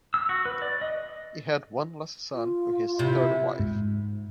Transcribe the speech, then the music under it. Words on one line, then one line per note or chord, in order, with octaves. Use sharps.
He had one last son with his third wife.
E6
F#4
B4
D5
D#5
F4
C3 E4
G#2